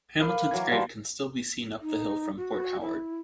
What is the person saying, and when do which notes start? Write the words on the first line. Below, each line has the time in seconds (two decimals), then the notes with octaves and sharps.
Hamilton's grave can still be seen up the hill from Port Howard.
0.21 A#4 F5 B5 D6 F6
0.51 E3 F#3 A#3 G#6
0.72 G3 B4 C5 F5 A5 C6
1.81 D#4
2.37 F#4
2.81 E4